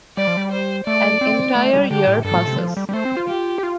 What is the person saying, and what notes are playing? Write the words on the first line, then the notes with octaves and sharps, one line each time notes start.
An entire year passes.
G3 D5
F3
G3
C5
A3 D5
C4
A3
G3
D3 G4
A2
G2 A4
A2
C3
F3
G3
G3
A3 C5
C4
F4
G4
G4
F4